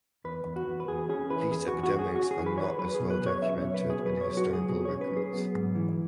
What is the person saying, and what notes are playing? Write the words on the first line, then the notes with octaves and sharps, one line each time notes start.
These epidemics are not as well documented in historical records.
E2 B4
E2
F#4
E2
B4
E2 G#4
C#4 G#4
E3 B4
E2 G#4
E2 F#4
F#4
C#4 G#4
C#4 F#4
G#4
E3
B4
E3 C#5
B4
F#3 B4
G#4
B2
B4
F#3 C#5
C#4 E5
C#5
B2
B4
B2
G#4
F#3 B4
C#5
B2
F#4
C#2
G#4
B2 G#4
C#5
C#4
B4
F#3
G#4
B3
G#2
E3